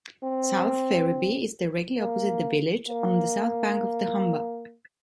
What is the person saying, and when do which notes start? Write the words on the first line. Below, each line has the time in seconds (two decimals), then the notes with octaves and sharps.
South Ferriby is directly opposite the village, on the south bank of the Humber.
0.23 C4
2.00 A#3
2.89 A#3